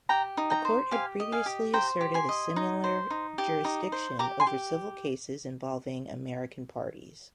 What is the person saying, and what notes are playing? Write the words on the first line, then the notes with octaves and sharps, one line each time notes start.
The Court had previously asserted a similar jurisdiction over civil cases involving American parties.
G4 G5 A#5
D#4
G5 A#5
C5
G4 F5 G#5
D#5
F5 G#5
G4
C5 G5 A#5
G4
G#5 C6
D#5
D#4
C5
D#4
G4
D#4
C5
G4 A#5 D6
G#5 C6
G4